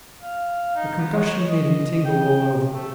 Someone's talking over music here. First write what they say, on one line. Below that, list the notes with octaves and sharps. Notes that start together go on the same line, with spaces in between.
The concussion made him tingle all over.
F5
D#4
B3
C#5
D#5
G5
A3